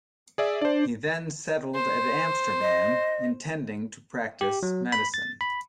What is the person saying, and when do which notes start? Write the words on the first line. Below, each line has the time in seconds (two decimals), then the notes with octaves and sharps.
He then settled at Amsterdam, intending to practice medicine.
0.38 G#4 D5 E5
0.61 D4 C5 D5
1.75 C5
2.61 D#5
4.41 G4
4.63 F#3
4.92 B5
5.14 A6
5.41 B5